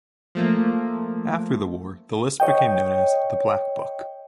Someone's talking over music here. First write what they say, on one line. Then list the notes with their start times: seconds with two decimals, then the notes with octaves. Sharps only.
After the war, the list became known as The Black Book.
0.35 F3 A3 A#3
2.40 C#5 D#5 G5